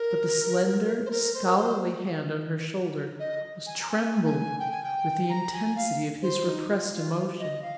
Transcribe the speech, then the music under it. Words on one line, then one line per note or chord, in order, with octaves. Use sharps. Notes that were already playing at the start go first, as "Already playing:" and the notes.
But the slender, scholarly hand on her shoulder was trembling with the intensity of his repressed emotion.
Already playing: A#4
C5
A#4
C5
A#4
C5
D#5
G#5
A#5
G#5
G#5
G5
G#5
G5
A#5
G#5
F5
C5
D#4
F4
F4
F4
D#5
F5